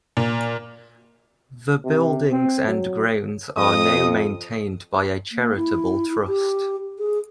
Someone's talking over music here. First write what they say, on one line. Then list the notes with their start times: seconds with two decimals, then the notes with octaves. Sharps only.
The buildings and grounds are now maintained by a charitable trust.
0.17 A#2
1.84 C3
2.32 C4
2.67 F#3
3.57 F2 D#5 D#6
5.32 A#3
5.56 E4
6.27 G4
6.99 G#4